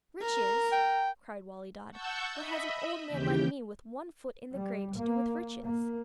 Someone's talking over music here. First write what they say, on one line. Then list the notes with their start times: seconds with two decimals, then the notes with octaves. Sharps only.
'Riches!' cried Wali Dad, 'what has an old man like me with one foot in the grave to do with riches?
0.22 A#4
0.72 G5
1.91 F#5 A5 C#6 E6 G6
2.33 D#5 E5 B5
3.09 D#2 C#3 E3 G4 G5
4.55 G3
4.96 A#3
5.60 A#3